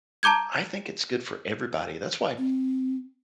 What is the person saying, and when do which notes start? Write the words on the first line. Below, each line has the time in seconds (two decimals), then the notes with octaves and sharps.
I think it's good for everybody. That's why
0.23 A5 A#5 D6 G6 G#6
2.38 C4